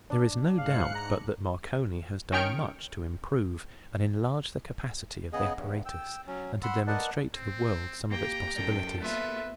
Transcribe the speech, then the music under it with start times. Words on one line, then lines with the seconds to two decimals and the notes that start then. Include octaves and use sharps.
There is no doubt but that Marconi has done much to improve and enlarge the capacity of the apparatus and to demonstrate to the world some of its possibilities.
0.10 D4
0.58 G#2 F5 F#6 C#7
0.95 A#5
2.32 D#3 C#4 G5 C#6 F6 D7
5.33 C#3 B3 G#4 D#5
5.56 E2 G2
5.86 G5 E6
6.27 F#3 C#4
6.63 F#5 B5 C6 E6
6.87 A#4 B4 D5 D#5 F#5 A5
7.34 C4
8.11 A#3 G4 G5 A#5
8.56 F#2 A4 A#4 D5 G5
9.02 A#3 B3 F4 B4 E5